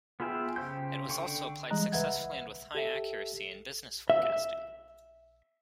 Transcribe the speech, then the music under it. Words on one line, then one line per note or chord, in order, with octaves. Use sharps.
It was also applied successfully and with high accuracy in business forecasting.
B3 F4 G#4 E5 G5
C#3 G4 C5 G5 G6
D3 G5 C#6
E3 G3 G#3 D#5 A#5 F#6
C#2 B4 E5 F#5 G#6
G4 A4 E5
E5